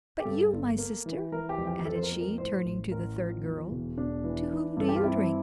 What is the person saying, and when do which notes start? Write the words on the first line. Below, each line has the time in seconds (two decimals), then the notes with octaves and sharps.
'But you, my sister,' added she, turning to the third girl, 'to whom do you drink?'
0.20 G4
0.25 G2 A4
0.52 G1
0.78 A#3
1.06 E3
1.32 E3 A#4
1.49 G4
1.58 F2
1.67 G4
1.84 F2 A4
1.96 C5
2.03 A#4
2.11 A#3
2.21 A#4
2.38 A2 C5
2.65 A1
2.92 A1 A#4
3.18 F3
3.45 E2
3.71 E1
3.97 E1 D4
4.24 E3
4.51 E3
4.77 G2 A4
4.89 G4
4.96 F4
5.03 C4 E4